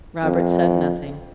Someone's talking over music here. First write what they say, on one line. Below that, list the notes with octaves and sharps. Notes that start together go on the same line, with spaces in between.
Robert said nothing.
F2